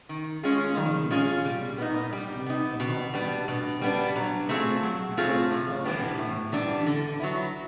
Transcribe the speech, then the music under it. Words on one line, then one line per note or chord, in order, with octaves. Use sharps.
Some proofs produced by the school are not considered satisfactory because of foundational difficulties.
D#3
G#3 C#4 F4 G#4
D#3
G#3 C#4 F4 G#4
G3
B3 D#4
G3
B3 D#4
B2
G3 B3 D4
B2
G3 B3 D4
F#3
A3 C4 F4 G#4
F#3
A3 C4 F4 G#4
A2
E3 G3 B3 D4
A2
E3 G3 B3 D4
D3
F#3 B3 E4